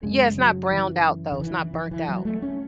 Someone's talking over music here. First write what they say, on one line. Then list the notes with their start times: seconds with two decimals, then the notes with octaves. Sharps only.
Yeah, it's not browned out though, it's not burnt out.
0.03 F#2 C#3 G#3
0.37 F#3
0.71 E3
1.32 D3
1.40 E3
1.74 E3
1.91 E3
2.08 F#3
2.25 A3
2.42 C#4